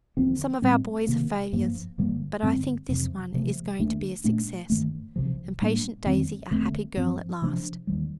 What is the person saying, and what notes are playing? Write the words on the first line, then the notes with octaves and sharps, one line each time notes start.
'Some of our boys are failures, but I think this one is going to be a success, and patient Daisy a happy girl at last.
D#2 D3 F3 C4
A2 G3 C4
C3 D#3 A#3
G2 F3 A#3
G2 D3 G3 A#3
G2 D3 G3 C4
F2 C3 F3
C3 F3 A3
D#2 D3 A3 D4
A#2 A3 D4
G2 D#3 A3
C2 C3 F3
A2 G3 A#3 D4
F2 D#3 G3 C4
D#2 D3 A3 C4
G2 F3 C4
C3 F3 A3 D4
D#2 D#3 G3